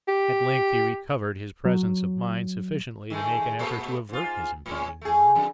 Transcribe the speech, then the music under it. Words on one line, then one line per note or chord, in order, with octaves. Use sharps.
At length he recovered his presence of mind sufficiently to make an effort to avert his impending doom.
G4
F#3
D#3 G#3 A3
A#2 A3 B3
G#2 F4
A2 G#3 C#4
A3 G#4
F2 D3